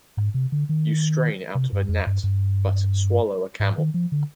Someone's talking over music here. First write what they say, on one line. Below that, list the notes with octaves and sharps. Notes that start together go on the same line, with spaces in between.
You strain out a gnat but swallow a camel!
G#2
C3
D3
D#3
C3
G2
F2
G2
G2
G#2
D#3
F3
D3